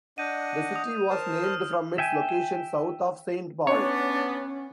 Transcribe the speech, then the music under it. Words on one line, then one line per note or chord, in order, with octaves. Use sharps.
The city was named from its location south of Saint Paul.
D4 D#5 F#5 G6 D#7
D#6
A#4 C5 A5
F6
E5 G5 G#5
B3 C#4 D4 C#5